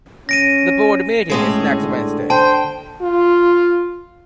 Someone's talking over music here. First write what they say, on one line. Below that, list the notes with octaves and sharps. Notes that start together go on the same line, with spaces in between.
The board meeting is next Wednesday.
C#4 A#6 D7 D#7
A2 G#3 C#4 G#4
D3
C5 G5 A5
F4